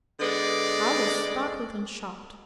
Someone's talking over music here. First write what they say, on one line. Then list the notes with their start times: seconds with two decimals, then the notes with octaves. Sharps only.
I was startled and shocked.
0.20 D3 G#3 B3 D5